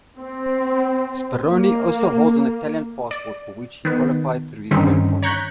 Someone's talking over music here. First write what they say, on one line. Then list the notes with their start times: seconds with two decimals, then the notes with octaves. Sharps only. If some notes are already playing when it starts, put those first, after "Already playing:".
Speroni also holds an Italian passport, for which he qualified through his grandfather.
0.20 C4
1.46 A#3
3.11 D5
3.85 D#3 B3
4.71 G2 D3 D#3 C4 C#4 D#4
5.23 C#5 A#5 C#6 F#6 G6 B6